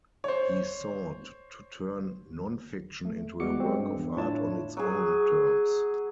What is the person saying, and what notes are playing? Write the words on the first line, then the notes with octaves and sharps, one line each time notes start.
He sought to turn non-fiction into a work of art on its own terms.
C5 C#5
A3
G3 G#3 B3 F#4 D6 C#7
G#3 C4
G2
E2
A2 D4 E4 F4 C#5 A5
F#3 G#4